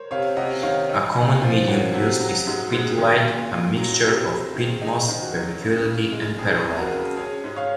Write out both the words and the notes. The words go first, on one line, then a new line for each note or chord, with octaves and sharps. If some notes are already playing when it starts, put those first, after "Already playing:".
A common medium used is 'peat-lite', a mixture of peat moss, vermiculite, and perlite.
Already playing: A#4 C5 C#5
C3 C#5 F5
C3 D#5 F#5
D#3 C#5 F5
D#4
A#2
F3
C#4 F#4 A#4
C3 F#4
F#3 F#4
G#2 F#4
G#2 F#4
G#4
D#3
A#2
A#2
F#3
C3 F#4 A#4
G#4 C5
C3
D#3
G#4
D#4 G#4
D#3
F#4
F#3
C#3
C#3
G#3
F2 G#4
F2
F#4 A#4
C#3
C#4 G#4
G#2
C#5 F5